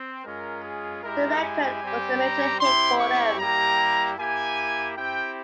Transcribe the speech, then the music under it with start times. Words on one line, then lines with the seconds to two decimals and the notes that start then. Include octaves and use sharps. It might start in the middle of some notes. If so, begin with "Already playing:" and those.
The record was a major hit for them.
Already playing: C4
0.24 G#3 C#4 F4 A#4
0.64 G#4
1.03 G#3 E4 G4 A#4
1.42 G#5
1.82 G3 C4 G4
2.21 A#5
2.60 C4 E4 G4 C6
3.00 C#6
3.39 G3 A#3 E4 G4 A#5
4.18 A#3 E4 G4 G#5
4.96 C4 E4 G4 G5